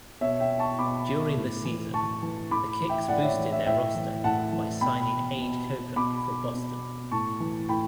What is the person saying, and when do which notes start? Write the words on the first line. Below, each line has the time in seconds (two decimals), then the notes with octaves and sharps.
During the season, the Kicks boosted their roster by signing Ade Coker from Boston.
0.21 B2 C#5 E5
0.40 E5 G5
0.59 A5 C#6
0.79 B2 B5 D6
1.36 A2
1.65 E3
1.94 A2 A5 C#6
2.22 E3
2.51 A2 B5 D6
2.80 E3
2.89 E5 G5
3.08 A2 D5 F#5
3.23 C#5 E5
3.38 E3
3.52 C#5 E5
3.66 A2 E5 G5
3.95 E3
4.24 A2 F#5 A5
4.52 E3
4.81 B2 G5 B5
5.39 B2
5.96 B2 B5 D6
6.54 B2
7.11 A2 A5 C#6
7.40 E3
7.69 A2 G5 B5